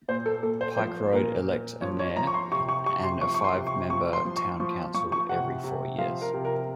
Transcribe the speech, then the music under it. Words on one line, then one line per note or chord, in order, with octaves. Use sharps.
Pike Road elects a mayor and a five-member town council every four years.
A#2 C5
A4
A#2 A4
C5
F3 C5
A#2 A#4
A#2
F3 C#5
C#5
F3 A#5
C#6
C6
C3 C#6
C#6
C3 C#6
C6
F3 C#6
C#6
C6
C3
C#6
F3 C#6
C6
F3
C#6
F3 C#6
F3 C#6
C#6
C3 F#5
C3
F3 F5
A#4
C3
A#4